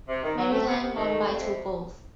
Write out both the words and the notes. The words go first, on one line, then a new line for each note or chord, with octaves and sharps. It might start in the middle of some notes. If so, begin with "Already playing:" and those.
Maryland won by two goals.
C3
D#3
F#3
A3
C3
C3
D#3
A3
F2
C3